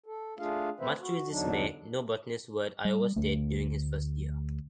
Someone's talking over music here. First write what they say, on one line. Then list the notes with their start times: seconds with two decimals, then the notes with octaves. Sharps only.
Much to his dismay, no botanists were at Iowa State during his first year.
0.06 A4
0.39 A3 D4 F4 G#4 F5
0.80 A3 C4 B4 C5 E5
1.00 F#4
1.29 E2 D3 F#3 D4 D#4
2.85 G3
3.16 D2 A3